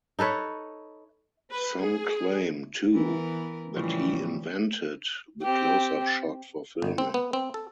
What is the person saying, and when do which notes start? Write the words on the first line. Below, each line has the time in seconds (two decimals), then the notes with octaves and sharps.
Some claim, too, that he "invented" the close-up shot for filming.
0.19 D#4 A4 B4 C#5
1.51 B4
1.81 G#4
2.93 E3 B3 A#4
3.76 A2 C#3 E3 F3 G3
5.43 C4 G4
6.82 G1
6.98 C4
7.14 B3
7.33 C4
7.54 A4